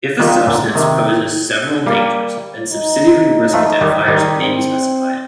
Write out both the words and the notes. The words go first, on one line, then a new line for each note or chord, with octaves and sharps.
If a substance poses several dangers, then subsidiary risk identifiers may be specified.
D#3 G3 F4
A#2 D3
C3 D#3
G3 A#3
D#4
F3 A3
D#3 G3
D#3 G3
C4